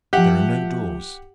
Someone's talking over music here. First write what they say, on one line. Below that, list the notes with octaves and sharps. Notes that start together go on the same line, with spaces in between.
There are no doors.
F3 G4 E5 F#5